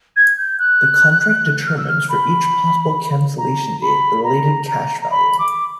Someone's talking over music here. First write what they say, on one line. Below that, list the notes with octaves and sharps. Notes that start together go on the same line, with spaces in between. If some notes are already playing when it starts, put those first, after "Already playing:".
The contract determines for each possible cancellation date the related cash value.
G#6
G6
F#6
F6
E6
F6
B5
A#5
B5
A#5
A#5
A#5
B5
D6